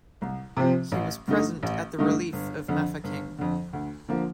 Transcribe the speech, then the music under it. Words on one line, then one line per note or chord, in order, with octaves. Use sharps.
He was present at the Relief of Mafeking.
C2
C3 F3 C4
A1
G2 D3 A3 D#4
A1
G2 D3 A3 D#4
G1
F2 D3
G1
F2 D3
D2
D3 F3 A#3